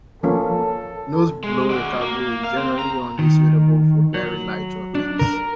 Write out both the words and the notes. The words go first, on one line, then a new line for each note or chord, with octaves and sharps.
Nose-blow recovery is generally only suitable for very light rockets.
F3 A#3 C#4 A4
G#3
F#4 D5
A#3
F5
C4
A#5
D#3
F#3
D4
A#4